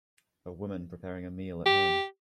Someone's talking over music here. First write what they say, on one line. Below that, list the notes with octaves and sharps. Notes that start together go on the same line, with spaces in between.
A woman preparing a meal at home.
G4